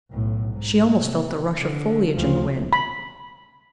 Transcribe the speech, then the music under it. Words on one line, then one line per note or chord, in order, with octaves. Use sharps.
She almost felt the rush of foliage in the wind.
B1 A2
G#2
C3
D3
D2 F3
B5